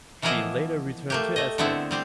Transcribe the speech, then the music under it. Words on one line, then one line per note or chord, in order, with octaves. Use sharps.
She later returned to Asker.
E3 F3 A#3 B3 E4 D#5
A3 A#3 G4
A3 D#5
D3 A3 B3 C4 E4
G3 C4 G4